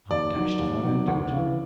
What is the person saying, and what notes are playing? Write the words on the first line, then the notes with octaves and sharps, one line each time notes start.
'I'm dashed if I don't do it.
D#2 D5
D#3 F#3
D#2
D#3 F#3
D2
C#3
E3